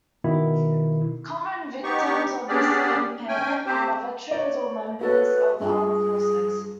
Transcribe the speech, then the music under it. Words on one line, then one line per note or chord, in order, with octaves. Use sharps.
Common victims of this impairment are veterans or members of the armed forces.
B2 D#3 E4
B3 D#4 G4 C#6
B3 C#4 D4 G4 G#4 D5
C#4 G5 G#5
C4 G4 C5
C#5 D5
F#4 A4 B4 C#5
G2 F4 G#4